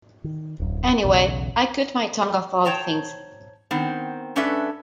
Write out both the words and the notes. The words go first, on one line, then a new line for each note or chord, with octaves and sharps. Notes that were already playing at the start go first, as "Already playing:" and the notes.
Anyway, I cut my tongue of all things.
D#3
D1 F#2
B1 E2 C#3
C5 C#5 G5 A5 A#5
D#3 B3 C4
G#2 C#4 D4 A4 B4 E5